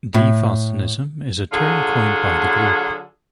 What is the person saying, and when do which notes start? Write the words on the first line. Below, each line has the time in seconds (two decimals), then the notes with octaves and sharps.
"Defastenism" is a term coined by the group.
0.14 A2
1.52 D3 F#3 F4 F#4 G#4 A4